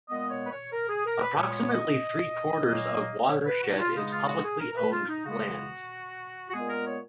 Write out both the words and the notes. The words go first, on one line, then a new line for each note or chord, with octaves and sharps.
Approximately three-quarters of the watershed is publicly owned lands.
A#2 G#3 B3 D#5
C#5
B4
C#5
A#4
G#4
A#4
B4
A#2 G#3 B3 C#5
C#5
D#5
A#2 F#3 A#3
C#5
B4
F#4
D#4
F4
C#3 G#3 B3 D#4
F4
F#4
G#4
A#4
A#4
B4
F4
D#4
C#3 G#3 B3 F#4
F#4
A#2 G#3 B3 G#4
A#4
C#5